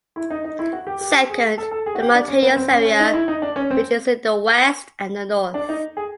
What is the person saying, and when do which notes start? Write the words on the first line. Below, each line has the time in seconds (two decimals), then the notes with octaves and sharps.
Second, the mountainous area which is in the west and the north.
0.16 E4
0.30 D#4
0.44 D#4
0.59 E4
0.73 F#4
0.87 G4
1.01 G4
1.30 G#4
1.58 A4
1.71 A4
1.86 G#4
1.95 F#4
2.00 G4
2.14 D4
2.28 C#4
2.42 B3
2.57 C4
2.71 C#4
2.85 C#4
3.00 D#4
3.14 E4
3.28 D#4
3.42 D4
3.56 C#4
3.70 C4
5.54 D4
5.69 D#4
5.97 G#4